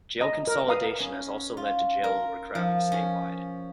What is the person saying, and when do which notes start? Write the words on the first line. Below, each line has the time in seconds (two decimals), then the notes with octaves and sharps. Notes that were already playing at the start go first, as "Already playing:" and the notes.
Jail consolidation has also led to jail overcrowding statewide.
0.21 D#5 A#5
0.47 A#4
0.68 B4 F5 A#5 D#6
1.00 C#4
1.57 F4
2.04 A#4
2.55 F3
2.92 C#4